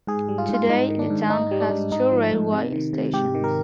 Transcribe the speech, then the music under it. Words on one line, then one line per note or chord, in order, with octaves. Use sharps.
Today the town has two railway stations.
G#2 G#4
G3
F4
G#2
F4
G#2 D#4
D#3
D4
G#2
G#2 D#4
G3
D4
G#2
G#2 D#4
F3
G#2
C3
D#3
C3
G#2 G4
D#3
A#4